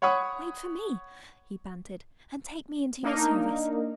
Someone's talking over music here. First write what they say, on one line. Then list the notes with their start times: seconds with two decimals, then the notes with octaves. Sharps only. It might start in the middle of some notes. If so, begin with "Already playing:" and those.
'Wait for me,' he panted, 'and take me into your service.
0.02 C#5 F#5 B5 C#6 D#6
3.03 A#3 D4 D#4 A#4